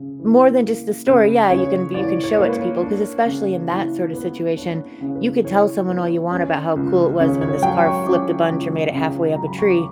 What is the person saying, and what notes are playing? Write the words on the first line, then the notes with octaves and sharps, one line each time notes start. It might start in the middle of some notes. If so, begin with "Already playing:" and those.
More than just a story. Yeah, you can be you can show it to people, 'cause especially in that sort of situation, you could tell someone all you want about how cool it was when this car flipped a bunch, or made it halfway up a tree,
Already playing: C#3
E3
A#3
C#3 B4
C#3 C#5
E3 D5
C#5
A#3
B4
C#5
D4
C#3
E3
B3
D4 C#5
C#3
B4
E3 C#5
B3
C#4
C#2
C#3 C#5
C#5
F#3 G5
C#6
C#4 D6
C#2
C#3
F#3 A#5
B5
C#6
D6